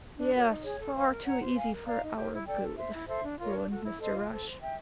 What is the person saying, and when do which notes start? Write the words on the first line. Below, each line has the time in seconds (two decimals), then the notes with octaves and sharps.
"Yes, far too easy for our good," groaned Mr. Rush.
0.18 D4
0.33 F#4 A#4 C#5
0.48 D#4
0.63 G#4 C#5
0.79 A4
0.94 C5 F5
1.09 A#4
1.25 C#5 F#5 A#5
1.40 C5
1.54 F5 G#5
1.71 A#4
1.86 D5 F5 A#5
2.01 D#4
2.16 G4 A#4
2.31 E4
2.47 A4 D5 G5
2.62 A4
2.77 C5 E5
2.92 E4
3.07 A4 C5 E5
3.22 D4
3.38 F4 A#4 C#5
3.54 D4
3.69 F#4 A4
3.83 E4
3.99 A4 C5 D#5
4.14 F4
4.30 A4 C5
4.45 C5
4.61 E5 G5